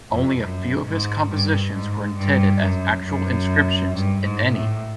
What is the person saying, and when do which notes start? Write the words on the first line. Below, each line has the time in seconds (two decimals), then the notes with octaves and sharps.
Only a few of his compositions were intended as actual inscriptions, if any.
0.11 F2
0.40 F#2
0.85 G#2
1.29 G2
1.73 G#2
2.17 G2
2.61 F#2
3.05 F#2
3.93 G2
4.22 G#2
4.52 A2